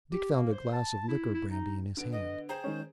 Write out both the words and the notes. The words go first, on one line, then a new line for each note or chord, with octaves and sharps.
Dick found a glass of liqueur brandy in his hand.
G4
A#3
C5
A5
E4
E4
D#4
D3 B3 D7
D#5
G#4 C5 G5 A#5
D#3 G#3 C#4